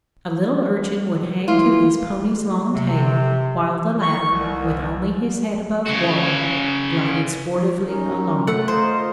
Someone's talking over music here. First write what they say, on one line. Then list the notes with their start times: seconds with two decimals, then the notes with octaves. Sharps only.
A little urchin would hang to his pony's long tail, while the latter, with only his head above water, glided sportively along.
1.48 E3 F4
2.75 C3
4.01 C#6
4.31 C2
5.86 C#3 F#4
7.86 C#4 D#4 A#4
8.47 A3 F#5
8.68 F4 A#4 C5 D#5